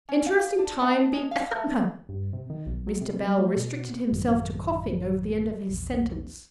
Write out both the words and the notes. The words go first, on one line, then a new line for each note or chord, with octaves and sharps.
'Interesting time be--' Mr. Bell restricted himself to coughing over the end of his sentence.
C#4
F5
D4
A3
G#3
F5
A3
G2
C3
D#3
B1
F#3
C3
G3
A3
B2
A1 F#2 D#3 F#3
A#1 E2